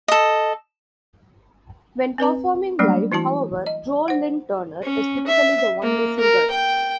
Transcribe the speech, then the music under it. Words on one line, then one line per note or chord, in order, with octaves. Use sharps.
When performing live, however, Joe Lynn Turner is typically the only singer.
A4 D#5
C4 B4 G#5 A#5
F#3 G3 A3 A#3 D4
E3 E4 F#4 A5
D#5
C5 F#5
C#4
E5
A#3
A#4
G5